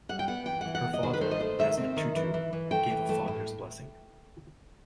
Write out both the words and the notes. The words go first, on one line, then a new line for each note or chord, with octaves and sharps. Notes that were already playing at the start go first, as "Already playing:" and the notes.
Her father, Desmond Tutu, gave "a father's blessing".
G3 F#5
G5
B3 F#5
E3 G5
E3 F#5
F#5
B3
D#5
D#3 C5
B4
A3 C5
D#5
A3 C5
D#3 E5
C4
D#3
E3
E3
E3
A3 G5
E3
A3
A2